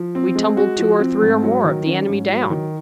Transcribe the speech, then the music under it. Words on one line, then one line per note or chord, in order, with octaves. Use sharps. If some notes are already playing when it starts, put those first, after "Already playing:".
We tumbled two or three, or more, of the enemy down.
Already playing: F3
C4
G#3
F#4
F3
C4
G#2
F#3
D#3
C#4
G#2
F#3
D#3